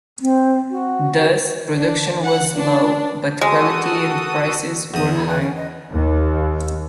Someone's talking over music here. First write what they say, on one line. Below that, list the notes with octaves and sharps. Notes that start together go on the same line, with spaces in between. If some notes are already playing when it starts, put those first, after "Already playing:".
Thus, production was low, but quality and prices were high.
C4
F#4
D4
F#5
D4
G#3 F#4 A4 D#6
E2 D#6
E4
B4
C#4
D#5
D#2